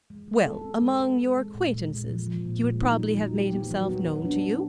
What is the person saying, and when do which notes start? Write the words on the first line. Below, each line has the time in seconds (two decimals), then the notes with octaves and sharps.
"Well, among your acquaintances--he would probably have made himself known to you?"
0.10 G#3
0.28 G#3
0.46 A4
0.65 C4
0.82 G#3
1.00 G#3
1.18 G#3
1.37 G#3
1.55 A#2
1.73 G#3
1.90 A#2
2.09 F3
2.26 F3
2.46 A#2
2.63 G#3
2.82 D#4
2.99 D#4
3.17 F#3
3.35 G4
3.53 B3
3.71 F#3
3.89 B3
4.08 B3
4.25 D4
4.43 D4